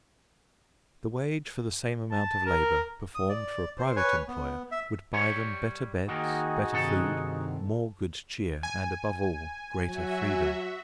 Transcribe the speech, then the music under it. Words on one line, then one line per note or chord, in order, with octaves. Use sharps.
The wage for the same amount of labour, performed for a private employer, would buy them better beds, better food, more good cheer, and, above all, greater freedom.
A5
A#4
D#6
D5
C5
B4 C#5 G#5
B3
E5
G3 C#5
D#3 A#3 D#4 F#4 G#4
G2 C3 D#3 A4 F#5
G#5
F#3 F#4 E5